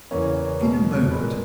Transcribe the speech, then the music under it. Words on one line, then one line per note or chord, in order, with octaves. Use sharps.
"In a moment."
E2 C#3 E3 A#3 C#4
B2 G#3
A#2 G#3 B4
A#4